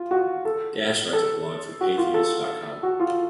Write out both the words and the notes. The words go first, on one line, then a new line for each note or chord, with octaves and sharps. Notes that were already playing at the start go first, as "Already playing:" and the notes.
Dash writes a blog for Patheos dot com.
Already playing: F4
F#4
A4
A4
F#4
F4
A4
F#4
F4